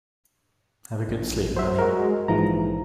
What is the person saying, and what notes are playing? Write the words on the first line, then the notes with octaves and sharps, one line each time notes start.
Have a good sleep honey.
A#1
F#3 C5 E5
G#3 F#4 A#4
A#1 G#2 E3 F3 A#5